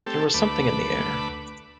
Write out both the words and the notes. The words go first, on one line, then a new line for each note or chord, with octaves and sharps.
There was something in the air.
A3 C4 G4 A4
D2 A3 B4 B5 D6